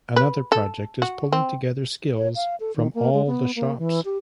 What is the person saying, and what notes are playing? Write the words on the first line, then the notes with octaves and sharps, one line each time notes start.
Another project is pulling together skills from all the shops.
B4
A4
F#4
C4
C#5
F5
A4
D#3
A#3
G#3
B3
A#3
E3
G4